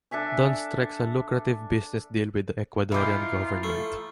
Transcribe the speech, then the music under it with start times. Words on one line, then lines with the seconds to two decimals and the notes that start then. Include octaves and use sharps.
Don strikes a lucrative business deal with the Ecuadorean government.
0.11 D4 A4 E5 G#5
2.92 E3 D#4 F4 B5 D6 G6
3.63 A3